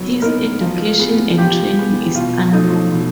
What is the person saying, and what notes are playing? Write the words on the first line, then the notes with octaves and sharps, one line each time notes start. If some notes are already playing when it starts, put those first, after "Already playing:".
His education and training is unknown.
Already playing: F#3 B3 D#4
B3 D#4 A#4
F3
G#3 B3
F3 G4
G#3 B3
B2 F4
F#3 A3 D#4
B2